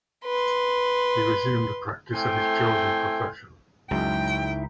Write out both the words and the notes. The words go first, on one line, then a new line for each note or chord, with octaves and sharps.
He resumed the practice of his chosen profession.
B4 C6
A2 A3 C4 G5 G#5 C6
C#2 F#2 F#3 G#3 D#4 E4 E5 G5